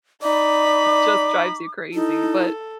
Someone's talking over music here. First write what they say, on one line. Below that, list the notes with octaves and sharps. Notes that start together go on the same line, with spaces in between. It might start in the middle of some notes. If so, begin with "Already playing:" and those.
just drives you crazy, but
D#4 D5 B5 D6
D#4 E4 A4